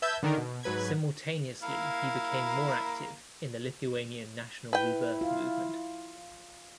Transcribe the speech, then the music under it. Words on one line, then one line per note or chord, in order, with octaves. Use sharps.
Simultaneously he became more active in the Lithuanian national rebirth movement.
B4 E5 A5 E6 G6 G#6
D3 D#3 D4 A#4
B2
G#2 F#3 B4 B5 G#6
A#3 E4 F5
E4 B4 G5
F4